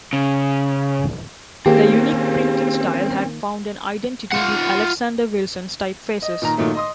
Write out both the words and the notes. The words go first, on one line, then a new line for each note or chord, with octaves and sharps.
Their unique printing style had found an identity with Alexander Wilson's type faces.
C#3
D#3 A#3 C4 C#4 G4 G#4
F4 F#5
D#5
A#2 D#3 A#5
A#2 D#3 F#3 A3
D#5 C6 D#6